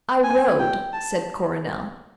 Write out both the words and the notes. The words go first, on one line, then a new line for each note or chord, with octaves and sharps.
"I rode," said Coronel.
G#5
G5
A5